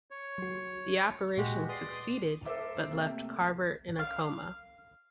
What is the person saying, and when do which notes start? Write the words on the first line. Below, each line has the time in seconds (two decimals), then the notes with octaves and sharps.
The operation succeeded, but left Carver in a coma.
0.11 C#5
0.38 F#3 F#4
1.37 A#2 G#3 F#4 G4
1.69 B4 D5 C6 D#6 C7
2.45 A4 A#4 C5 E5 D6
2.91 C3 A3 A#3
3.99 F5